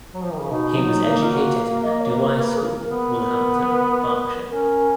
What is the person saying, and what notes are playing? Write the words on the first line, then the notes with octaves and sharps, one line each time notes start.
He was educated at Douai School, Woolhampton, Berkshire.
F#3
F3
D#3
C#3
B2 D#4
F#3
A#3
F4
F#4
F5
D#5
C#5
B4
B4
G#4
A#4
B3 A#4
C#4 A#4